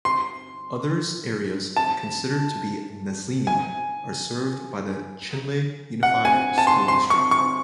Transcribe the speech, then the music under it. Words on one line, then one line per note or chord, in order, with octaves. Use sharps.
Others areas considered to be "Nazlini" are served by the Chinle Unified School District.
C6
A5
G#5
F#5
G#5
A5
C6
C6
C#6
C#6